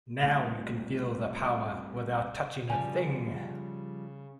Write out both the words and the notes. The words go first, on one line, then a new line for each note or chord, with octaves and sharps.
Now you can feel the power without touching a thing.
C2 C3 A3
C#3 F3 G3 G#5